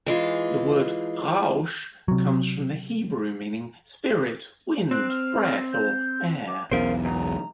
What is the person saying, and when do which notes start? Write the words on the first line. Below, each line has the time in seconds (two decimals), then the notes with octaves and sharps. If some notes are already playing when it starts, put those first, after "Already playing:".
The word "Ruach" comes from the Hebrew meaning "spirit", "wind", "breath", or "air".
0.06 E3 G#3 F4
2.08 C3 F#3
4.91 C4 F#6
5.09 F6
5.72 G6
6.47 D6
6.72 B1 E2 C#4 A#4 C5 F5
7.05 C#2 F#2 A#5